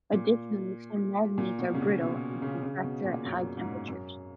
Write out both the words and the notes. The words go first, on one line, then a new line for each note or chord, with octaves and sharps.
Additionally, some magnets are brittle and can fracture at high temperatures.
A#2
A#2
B2
C#3
B2
B2
C#3
C#3
B2
A#2
F#2
G#2
F#2